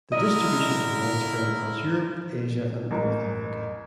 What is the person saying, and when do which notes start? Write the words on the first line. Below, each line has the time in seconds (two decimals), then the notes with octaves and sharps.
The distribution is widespread across Europe, Asia and North Africa.
0.12 D3 E4 A#4 D#5
2.91 A1 A#4